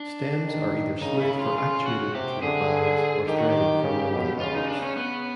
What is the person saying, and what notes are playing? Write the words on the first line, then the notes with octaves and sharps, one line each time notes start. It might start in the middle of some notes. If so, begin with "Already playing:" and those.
Stems are either smooth for actuator controlled valves or threaded for manual valves.
Already playing: D4
D#3
C#3 D#4
E4
F4
F4
F#4
C3 G4
D3 G#4
D#3 G4
F#4
G4
C#3
B2
C#3 F4
D#4
D4
C#4
B3